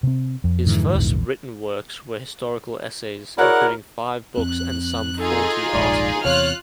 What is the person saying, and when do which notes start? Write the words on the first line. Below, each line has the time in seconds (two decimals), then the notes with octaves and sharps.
His first written works were historical essays, including five books and some forty articles.
0.03 C3 C4
0.44 F2
0.66 G#2 D3 E3
0.95 A#1 E2
3.38 E4 F#4 G#4 A#4 C#5 D5 F#5
4.37 F2 C4 F#6
5.19 D#4 F4 G#4 A4
5.73 D#1 A#1 G#2 D5
6.25 E2 C3 F4 C#5 F6 F#6